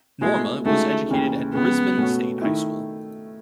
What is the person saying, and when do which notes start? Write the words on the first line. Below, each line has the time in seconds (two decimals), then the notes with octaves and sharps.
Norma was educated at Brisbane State High School.
0.21 B2 G#3 A3 E4
0.65 C#2 C#3 G#3 A3 D#4 F#4
1.09 D#2 C#3 E3
1.53 C#2 C#3 G#3 B3
1.97 B2 A3 C#4 F#4
2.42 D#3 A3 E4